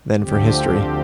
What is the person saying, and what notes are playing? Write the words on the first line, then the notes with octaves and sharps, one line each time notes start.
than for history.
D2 D3 F3 C4 G4